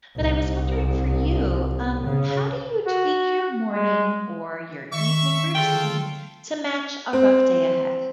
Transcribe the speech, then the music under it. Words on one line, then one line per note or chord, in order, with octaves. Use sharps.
but I was wondering for you, um, how do you tweak your morning or your evening routine to match a rough day ahead?
C2
C#3
F#4
G#3
D#3 E5 C#6
D3 F4 G#4 A4 G5
C4